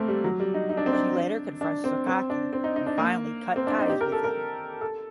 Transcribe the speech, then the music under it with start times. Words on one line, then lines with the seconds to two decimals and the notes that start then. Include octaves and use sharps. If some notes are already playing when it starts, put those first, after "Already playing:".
She later confronts Sakaki and finally cut ties with him.
Already playing: A3 A#3 C4
0.08 G3
0.24 F#3
0.40 G3
0.54 D#4
0.69 D#4
0.77 D4
0.86 C4
0.93 D4
1.61 D4
1.84 C4
2.07 C4
2.30 D4
2.53 C4
2.64 D#4
2.76 D#4
2.86 D4
2.98 A#3
3.56 C4
3.67 D4
3.79 D#4
3.90 G4
4.01 A#4
4.12 A4
4.24 A#4
4.81 A4